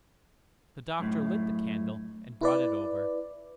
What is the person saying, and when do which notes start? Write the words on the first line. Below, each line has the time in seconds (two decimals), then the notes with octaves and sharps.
The doctor lit the candle and brought it over.
1.00 F#2 A2
2.41 E4 B4 D5